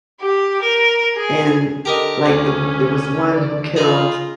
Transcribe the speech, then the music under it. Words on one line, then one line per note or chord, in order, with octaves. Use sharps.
and like, the o there was one who killed
G4
A#4
G#4
D3 G4 A#4 D#5
D2 C#4
D5
D#4 F4 G#4